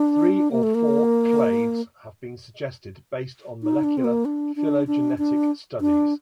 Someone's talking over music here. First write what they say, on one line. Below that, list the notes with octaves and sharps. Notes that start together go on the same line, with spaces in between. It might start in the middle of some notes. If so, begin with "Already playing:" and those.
Three or four clades have been suggested based on molecular phylogenetic studies.
Already playing: D4
A#3
A3
A#3
D#4
D4
C4
A#3
D4
D4
D4
D4
D4